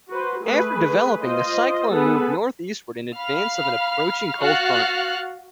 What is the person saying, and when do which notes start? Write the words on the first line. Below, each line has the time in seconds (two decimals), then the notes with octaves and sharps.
After developing, the cyclone moved northeastward in advance of an approaching cold front.
0.11 F#4 B4 C5
0.43 A3 G#4 B4
1.23 F4 C5 D#5
1.90 B3 G#4 A4 B4
3.16 F5 B5 F6
4.40 F#4 F5 C#6 F6 F#6 A6